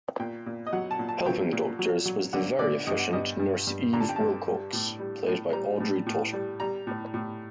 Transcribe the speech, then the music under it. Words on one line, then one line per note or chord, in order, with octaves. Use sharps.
Helping the doctors was the very efficient Nurse Eve Wilcox, played by Audrey Totter.
A#2 G5
A#2
D#5
F#3 F#5
A5
A#2
A5
F#3 G5
A#2
F#3
F#3
D3 F#5
D3 D5
G2 D#5
F#5
G2 D#5
G2
G2
D3 A#5
A5
G5
G2 A5
G3
A2
G3
A2
G3 A#5
A2
A2
G3
G3 A#5
A2
A2